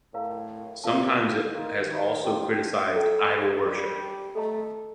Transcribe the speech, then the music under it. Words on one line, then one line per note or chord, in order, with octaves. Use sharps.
Sometimes it has also criticised Idol worship.
A2 A#4 D5 F5 A#5
C3 F4 A#4 F5 A5
D3
D#3 A#4 F5 C6
D#3
F3 G4 D5 G5 A#5
A4 D5 G5 A#5
G3 G4 C5 D#5
A3 A4 D#5 A#5